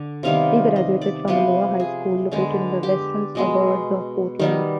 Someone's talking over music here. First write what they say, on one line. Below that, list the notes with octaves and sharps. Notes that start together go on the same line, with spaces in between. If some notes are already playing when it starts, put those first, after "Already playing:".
He graduated from Aloha High School, located in the western suburbs of Portland.
Already playing: D3
C3 D#3 G3 B3 F5
D#5
D5
C3 F3 B3 B4
G#4
D3 G#3 B3
G4
B2 G#3 B3
D#3 G3 B3